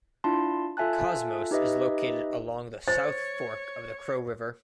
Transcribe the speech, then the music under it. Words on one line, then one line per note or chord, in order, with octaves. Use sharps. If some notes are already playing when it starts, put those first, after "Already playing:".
Cosmos is located along the South Fork of the Crow River.
D4 E4 F4 A5 C6
F4 A4 E5 G#5 A5 F#6
D#4 G4 B4 D#5 E5
C5 C#5 A6